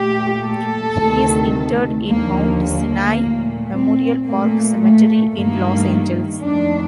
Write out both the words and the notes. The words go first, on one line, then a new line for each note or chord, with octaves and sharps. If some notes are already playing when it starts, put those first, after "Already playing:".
He is interred in Mount Sinai Memorial Park Cemetery in Los Angeles.
Already playing: A#2 A3 G4
A4
D2 C3 D#3 A3
D#2 D3 F3 A#3
A#3
A#2 A3
C4
A#2 A3 A#3
A3
G2 D#3 A3 A#3
F2 D#3 A3 D4